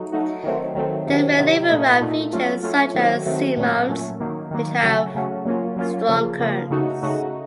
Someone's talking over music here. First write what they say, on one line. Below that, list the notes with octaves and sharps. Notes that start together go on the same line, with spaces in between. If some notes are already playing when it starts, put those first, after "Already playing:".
They may live around features, such as seamounts, which have strong currents.
Already playing: F#3 A3 D#4 F#4
F#3 A3 D#4 F#4
D#3 F#3 A3 C4
D#3 F#3 A3 C4
C3 D#3 F#3
C3 D#3 F#3
A#2 A3 D#4
A#2 A3 D#4
F#3 A3 C#4 F4
F#3 A3 C#4 F4
D#3 F#3 A3 C4 F#4
D#3 F#3 A3 C4 F#4
A#2 F#3 A3 C#4
A#2 F#3 A3 C#4
D#3 F#3 A#3
D#3 F#3 A#3
C#3 F#3 A3 C#4 F#4
C#3 F#3 A3 C#4 F#4
F#3 A#3 C#4 F4
F#3 A#3 C#4 F4
C#3 F3 A#3
C#3 F3 A#3
C#3 A3 D#4 F#4
C#3 A3 D#4 F#4